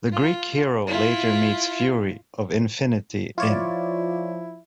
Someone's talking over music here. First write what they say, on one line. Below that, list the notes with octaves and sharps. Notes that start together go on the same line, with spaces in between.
The Greek hero later meets Fury of Infinity In.
F4
E4 F4
F3 E4 F4 C#5 D5